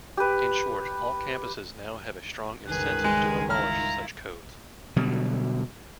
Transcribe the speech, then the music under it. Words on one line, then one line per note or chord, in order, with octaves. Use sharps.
In short, all campuses now have a strong incentive to abolish such codes.
G4 B4
C#2 G2 D#3 G#4 B4 F#6
G#3
E4 F4 A#5 F6
B2 D3 F#3 G3